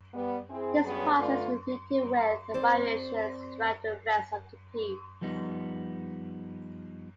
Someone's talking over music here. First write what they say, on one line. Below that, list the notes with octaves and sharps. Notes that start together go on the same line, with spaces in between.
This process is repeated with variations throughout the rest of the piece.
G3 B3
C4 E4 G#4
G2 F#3 B3 C#4 G#4 C#5
D3 A3 F4 B4 D5
C4 C5 D5
F3 G3 B3 D#4